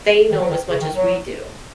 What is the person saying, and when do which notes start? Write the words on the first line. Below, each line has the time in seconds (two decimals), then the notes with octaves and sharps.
they know as much as we do
0.31 D#3
0.40 F#3
0.49 D#3
0.69 C#3
0.81 D#3
0.93 F#3